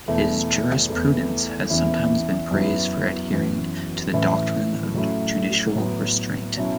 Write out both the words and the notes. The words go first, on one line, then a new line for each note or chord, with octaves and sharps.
His jurisprudence has sometimes been praised for adhering to the doctrine of judicial restraint.
E2 B2 A3 E4
E2 E3 A3 E4
E2 E3 C#4 E4
F#2 F#3 B3 E4
F#2 E3 B3
A2 E3 C#4 E4
A2 F#3 A3 C#4 E4
A2 F#3 B3
B2 F#3 C#4 E4